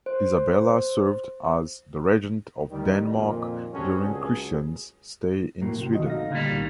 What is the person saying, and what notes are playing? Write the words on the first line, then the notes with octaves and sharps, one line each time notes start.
Isabella served as the regent of Denmark during Christian's stay in Sweden.
C5
D#3 G3
F2 A#2 D#3
G3 C4 C#4 F#4 G#4 A4
C#2 F#3 G#4
A2 F#3 A#3
C3
D#3 F#4 D#5
A3 D#4 F5 A#6
A#2 D3 G3
C2 B2 D#3